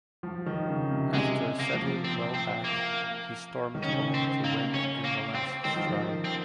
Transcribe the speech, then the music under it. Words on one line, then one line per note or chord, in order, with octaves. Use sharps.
After settling well back he stormed home to win in the last stride.
F3
D#3
C#3
C3
C3 G#3
A#3
F3
C4
C4
A#3
D#3
C#3 C#4
C4
A#3
C#4
A#3
C4
D#3 C4
F3
D#3
C4